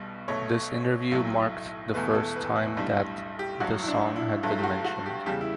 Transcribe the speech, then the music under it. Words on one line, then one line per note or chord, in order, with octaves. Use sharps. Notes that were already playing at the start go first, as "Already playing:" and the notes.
This interview marked the first time that the song had been mentioned.
Already playing: B1 B2 G3
B1 B2 A3 C#5
B1 A2 F#3 A3
E1 E2 B2 A3 B4
A4
B4
E4
B1 A2 G3 D4
G4
A1 G2 F#3 F#4
E4
D4
E4
G1 G2 F#3 A3 E4
G4
F#4
F#4
G4
E2 C#3 G3 G4
E4